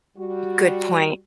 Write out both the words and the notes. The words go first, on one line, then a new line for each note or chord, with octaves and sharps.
Good point.
G3 F#4